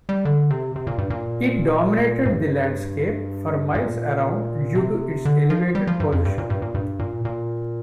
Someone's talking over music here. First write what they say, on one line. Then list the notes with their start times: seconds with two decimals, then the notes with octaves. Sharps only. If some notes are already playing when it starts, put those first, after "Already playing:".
It dominated the landscape for miles around due to its elevated position.
0.09 G3
0.25 D3
0.50 C3
0.76 C3
0.87 A#2
0.98 G2
1.10 A#2
2.25 G2
3.75 A#2
4.75 C3
5.25 D3
5.50 F3
5.75 G3
5.87 F3
6.00 G2
6.12 F2
6.25 G2
6.38 A#2
6.50 G2
6.62 A#2
6.75 G2
6.99 A#2
7.25 A#2